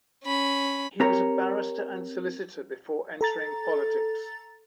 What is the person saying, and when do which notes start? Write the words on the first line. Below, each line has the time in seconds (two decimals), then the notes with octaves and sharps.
He was a barrister and solicitor before entering politics.
0.24 C#4 B5
1.00 C4 G4 A#4 C#5 A#5
3.21 A4 A#5 A6